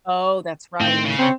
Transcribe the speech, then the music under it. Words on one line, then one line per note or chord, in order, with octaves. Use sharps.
Oh, that's right.
A2 D#3 C4
C#3
C4 C5 C#5